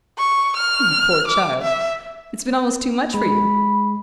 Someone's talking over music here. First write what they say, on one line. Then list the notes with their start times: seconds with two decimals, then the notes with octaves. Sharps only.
"You poor child--it's been almost too much for you!"
0.19 C#6
0.57 F6
1.28 D6
1.62 E5
3.14 G#3 B5